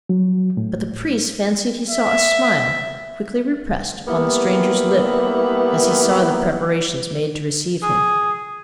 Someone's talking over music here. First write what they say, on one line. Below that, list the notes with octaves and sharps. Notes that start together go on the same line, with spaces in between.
But the priest fancied he saw a smile, quickly repressed, upon the stranger's lip as he saw the preparations made to receive him.
F#3
A2
E5
G3 A#3 B3 E4 G4
G#4